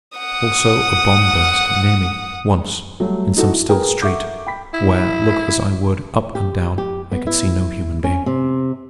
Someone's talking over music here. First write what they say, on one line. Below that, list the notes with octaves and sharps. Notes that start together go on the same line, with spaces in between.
Also, a bomb burst near me, once, in some still street, where, look as I would, up and down, I could see no human being.
F#5 D#6
F#3 G3 A3
D#4 E4 F#4 A4
E4
G#4 A#4 B4 G5
A4 E5 F#5 C#6 D6 G6
G5 B5 B6
E4
G4
G4
B3
E4
C#4
C3